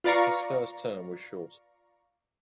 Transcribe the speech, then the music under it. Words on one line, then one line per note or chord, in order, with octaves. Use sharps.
His first term was short.
F4 B4 D5 F5 A#5 C#6